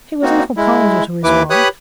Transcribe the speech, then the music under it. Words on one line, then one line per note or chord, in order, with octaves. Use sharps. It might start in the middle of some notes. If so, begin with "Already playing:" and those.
He was a little colder to his wife.
A#3 C4 D#4 F#4
G#3 E4
D#2 E3 E4 B4 D6
G4 B4 C#5 B5 D#6 F#6